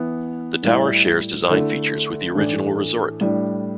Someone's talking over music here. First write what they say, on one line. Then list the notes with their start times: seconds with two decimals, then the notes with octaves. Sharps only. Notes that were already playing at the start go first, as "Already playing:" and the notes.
The tower shares design features with the original resort.
Already playing: E3 B3 E4
0.63 A2 G3 E4
1.49 D3 A3 E4
2.35 A2 E3 A3 D4
3.21 A2 G3 D4